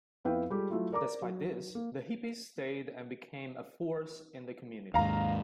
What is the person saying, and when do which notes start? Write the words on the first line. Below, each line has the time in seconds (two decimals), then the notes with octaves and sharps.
Despite this, the hippies stayed and became a force in the community.
0.25 F2 B3 E4 B4 F5 G5
0.50 G3 G#3 F4 G4 A4
0.70 F#3 A3 E4 F4
0.92 A#4 D5 A#5 D6
1.22 F#3
1.75 A#3
4.94 D#2 G#2 F5 A#5